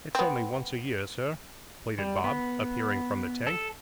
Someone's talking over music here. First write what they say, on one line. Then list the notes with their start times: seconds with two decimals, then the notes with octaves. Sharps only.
'It's only once a year, sir,' pleaded Bob, appearing from the tank.
0.15 B3 C4
1.99 G3
2.24 B3
3.47 A4